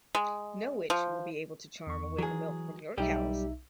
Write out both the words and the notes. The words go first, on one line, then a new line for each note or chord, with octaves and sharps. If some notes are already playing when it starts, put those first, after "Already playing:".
No witch will be able to charm away the milk from your cows.
G#3
F3
E2 C#6
E3 F#3 G#4
B1 G3 D#4 G4 E5